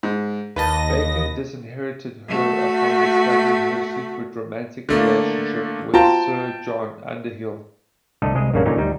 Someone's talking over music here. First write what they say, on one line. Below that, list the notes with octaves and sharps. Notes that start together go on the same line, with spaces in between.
Bacon disinherited her upon discovering her secret romantic relationship with Sir John Underhill.
G#2
D#2 B4 D#5 A5 A#6
A3 F#4
D3 A3 A#3
F4 F#4 G5 A5 A#5
C2 D3 A3 A4 D#5
C2 G#3 G#4 D#5
A#1 G2 C#3 A#3 C#4 F#5
A#2 D3 F#3 C#4 D#4
D2 G3 D#4